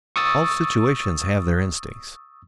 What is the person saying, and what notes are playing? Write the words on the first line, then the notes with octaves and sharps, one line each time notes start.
All situations have their instincts.
C#6 D#6 E6 A6